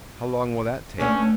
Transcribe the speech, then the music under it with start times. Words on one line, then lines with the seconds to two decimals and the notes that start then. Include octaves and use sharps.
"How long will that take?"
1.00 A3 B3 C#4 D4